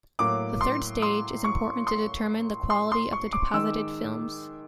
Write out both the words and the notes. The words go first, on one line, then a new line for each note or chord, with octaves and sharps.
The third stage is important to determine the quality of the deposited films.
A2 F#3 A#3 D6
C6
C6
C#6
C6
C6
C6
C#6
D6
D#3 G#3 E6